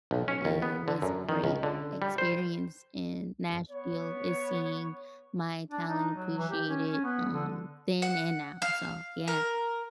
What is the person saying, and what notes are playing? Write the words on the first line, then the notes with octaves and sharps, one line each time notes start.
it was great experience in Nashville is seeing my talent appreciated, um, then and now, so, yeah.
B1
C#4
D#2
B3
D3
F#2
D#3
C#2
D3
G3
C5
B3 C#5
D4
D#4
F#3
E3
G4
C#4
C#4
B3
D3
F#5
F5
A#4